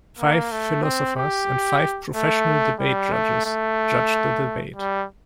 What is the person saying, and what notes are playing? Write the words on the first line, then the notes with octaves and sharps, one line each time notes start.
Five philosophers and five professional debate judges judged the debate.
A#3
A3
C4
G4
A3
G3
A3
A3
G3